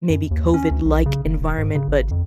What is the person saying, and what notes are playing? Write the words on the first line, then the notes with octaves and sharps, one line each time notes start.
maybe COVID-like environment but
F#2
D#2
C#4
D2
B1
C#3
F#1
E1
G#2
C#3
G#1
F2